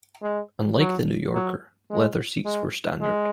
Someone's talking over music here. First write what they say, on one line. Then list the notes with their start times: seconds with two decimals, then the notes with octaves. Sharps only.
Unlike the New Yorker, leather seats were standard.
0.23 G#3
0.79 F#3
1.34 F#3
1.91 G#3
2.46 G#3
3.02 G#3